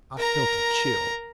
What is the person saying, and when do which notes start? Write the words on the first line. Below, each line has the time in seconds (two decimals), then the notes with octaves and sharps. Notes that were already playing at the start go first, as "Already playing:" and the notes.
I felt a chill.
0.18 A#4 A#5